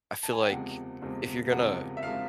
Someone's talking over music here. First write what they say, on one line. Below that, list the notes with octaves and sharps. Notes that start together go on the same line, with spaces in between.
I feel like if you're gonna
A5
G#5
G5
F#1 E2 C3 F3 G#3 F#5
F#1 E2 C3 F3 G#3
F#1 E2 C3 F3 G#3 F#5
E5
F#1 C3 F3 G#3 F5